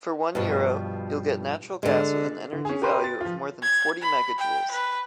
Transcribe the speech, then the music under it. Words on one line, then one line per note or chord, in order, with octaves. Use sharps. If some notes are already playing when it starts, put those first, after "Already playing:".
For one Euro, you’ll get natural gas with an energy value of more than forty mega joules.
G2 B2 F3
D3 G#3
D3
C#4 G#4
G4 A#4 B4 C6
A6
F3 F4
G#6
B5
G5
B4